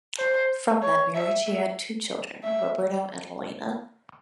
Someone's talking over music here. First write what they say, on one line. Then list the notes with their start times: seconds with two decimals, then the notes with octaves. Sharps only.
From that marriage, he had two children: Roberto and Elena.
0.18 C5
0.82 C#5
1.15 E5
1.46 E5
2.43 E5